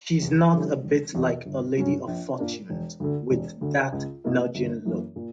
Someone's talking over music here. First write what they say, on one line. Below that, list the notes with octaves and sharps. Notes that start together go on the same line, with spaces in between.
She's not a bit like a lady of fortunes, with that nudging look.
E2
D3 G3 C#4 E4
E1
E2 B2
G1
G2 F#3 C#4
A#1
A#2 A#3 D4
E1
D2 D3
E1
D2 D3
C#2
B2 A#3 E4
G1
F#2 E3 A#3
A#2